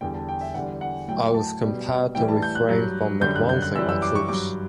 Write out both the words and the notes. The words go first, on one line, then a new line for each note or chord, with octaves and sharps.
I was compelled to refrain from advancing my troops.
E2 D3 G3 G5
A5
G5
E5
E2 D3 G3 F#5
F#5
A2 F#3 G5
A5
B2 G3
A2 E3 G3 G5
A5
G6
F#6
G2 F#3
F#2 D3 G3 G6
F#6
G6
F#6
F#2 E3 G3 E6
E6
D6
C#6
G2 F#3 D6